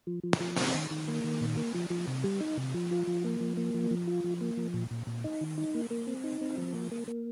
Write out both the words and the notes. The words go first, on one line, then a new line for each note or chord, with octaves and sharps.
It is part of City of Lismore.
F3
F3
F3
C4
D#3
D#3
A#3
D#3
A#2
A#3
F3
F3
C3
G3
D#4
C3
F3
F4
F3
A#3
F3
A#3
F3
F3
F4
F3
A#3
F3
A#2
A#2
A#2
D#4
D#3
D#4
A#3
A#3
C4
D#4
C4
F3
A#3
A#3
A#3